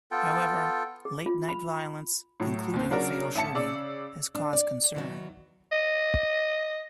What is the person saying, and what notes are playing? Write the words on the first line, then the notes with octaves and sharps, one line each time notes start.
However, late night violence, including a fatal shooting, has caused concern.
B3 F4 A4 G5
G#4
F4
B5
A2 F#3
D#2 C4
C#3 F#3 D4 F#4 A#4
A1 E5 A5 C#7
C#3 D5 E6
D4
D5
E2 D#3 F3 F#3
D#5